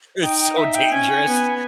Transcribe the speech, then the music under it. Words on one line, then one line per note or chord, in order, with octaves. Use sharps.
It's so dangerous.
D#4 G5
G5
G5
E5
G5
C#4 G#5
B3